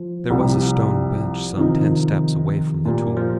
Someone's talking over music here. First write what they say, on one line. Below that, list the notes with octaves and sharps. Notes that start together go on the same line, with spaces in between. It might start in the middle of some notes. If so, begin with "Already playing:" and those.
There was a stone bench some ten steps away from the tomb.
Already playing: F3
C2 C3 G3
C3 D#3 F3 D#4
A#2 A#3 G4
F3